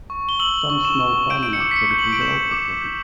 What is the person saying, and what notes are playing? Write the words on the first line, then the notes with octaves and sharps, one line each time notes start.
Some small farming activities are also present.
C#6
G7
E6 F#7
C#6
E7
C#6
G6 D7
D7
C#7
D6
B6
C#7
G6
F#7
D7
G6 E7
D6
G6